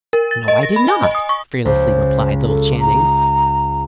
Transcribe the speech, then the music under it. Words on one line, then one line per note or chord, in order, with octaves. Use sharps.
"No, I did not!" fearlessly replied little Channing.
A#4
A6
D#5
A#6
B5
G#5
D#5
D#6
C#6
C#2 C5
A4
A#5